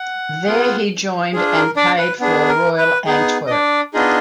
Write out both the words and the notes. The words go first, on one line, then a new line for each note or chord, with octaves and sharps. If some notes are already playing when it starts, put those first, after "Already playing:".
There he joined and played for Royal Antwerp.
Already playing: F#5
B3 F4 G#4
D4 F4 G#4
A#4
D4 D5
B4
B3 D4 G#4
A#4
B4
B3 D#4 G#4
D#5
D4 D5
B3 D4 D#4 F4 G#4 D#5